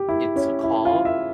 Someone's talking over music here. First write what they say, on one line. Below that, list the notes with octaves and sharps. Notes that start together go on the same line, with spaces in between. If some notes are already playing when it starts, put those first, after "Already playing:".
it's a call,
Already playing: G4
E4
C#4
E4
F4
E5